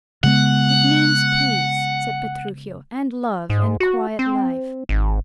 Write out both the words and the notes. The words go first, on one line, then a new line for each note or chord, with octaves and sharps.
"It means peace," said Petruchio, "and love, and quiet life."
C#3 G#3 B3 F#5
G#2
F#4
C4
G#1